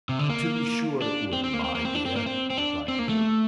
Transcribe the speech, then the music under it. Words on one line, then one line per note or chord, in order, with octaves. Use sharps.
'To be sure it would, my dear,' replied the Jew.
C3
D3
A#3
D4
C4
C4
A#3
C4
A#3
C4
D4
C4
A#3
C4
C4
D4
C4
A#3
A3